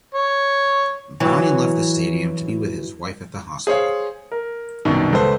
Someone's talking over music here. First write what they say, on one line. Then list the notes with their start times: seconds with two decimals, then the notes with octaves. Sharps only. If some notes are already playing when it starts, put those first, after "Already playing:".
Browning left the stadium to be with his wife at the hospital.
0.15 C#5
1.20 E3 F#3
3.67 G#4 C5 C#5 F5
4.32 A#4
4.85 C2 F#2 B2 D#3
5.12 C#2 A4 B4 C5